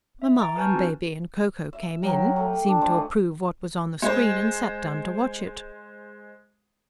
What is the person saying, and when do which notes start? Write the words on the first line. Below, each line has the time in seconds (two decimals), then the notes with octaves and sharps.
Mamma and Baby and Ko-Ko came in, seemed to approve what was on the screen and sat down to watch it.
0.22 E5
0.41 A#5 A6 D7
0.57 B4 G#5 A5 C#6 F6 G6
0.73 C4 D4 F4 F#4
1.73 E5
2.02 F#3 G4 A#4 G5
2.36 A3
2.53 G5
2.66 D4 D6
2.81 F3 G#3 A3
4.02 G#3 C5